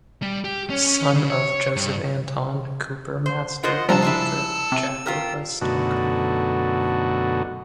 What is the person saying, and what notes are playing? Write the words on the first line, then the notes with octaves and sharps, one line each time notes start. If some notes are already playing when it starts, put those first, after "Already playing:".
Son of Joseph Anton, cooper master, and the Jakobea Stocker.
G3
G4
C#4
C#3
C#5
G2
C5
F4 A#4 C5 D#5 F#5
C#3 F3 G3 D4 A#4 A5 A#5 E6
G#3 D4 E4
C3
F4 G4 A#4
F#2 B2 D3 A3 D#4 F#4